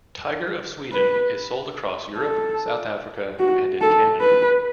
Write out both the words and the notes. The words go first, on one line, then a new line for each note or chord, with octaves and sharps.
Tiger of Sweden is sold across Europe, South Africa and in Canada.
B4
A4
F#4
A4
B4